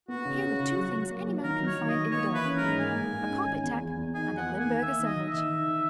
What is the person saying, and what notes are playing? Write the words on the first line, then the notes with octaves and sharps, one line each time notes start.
Here are two things any man can find in the dark--a carpet tack and a limburger sandwich.
B3 F#4
C#3
C#3
C#3
F#3
F#3
A#3
F#3
D#3 A#4
F#3
C#5
D#3
D#5
D#3
A#3 C#5
E3
B4
C#4
A#4
G#2
A#3 G#5
G#2
G#2
C#4
D#3
E2
E2
E2
D#3 G#5
E2
F#5
A#3
G#5
D#3
A#3 E5
D#3
D#5
D#3
E5
D#3
D#3
D#3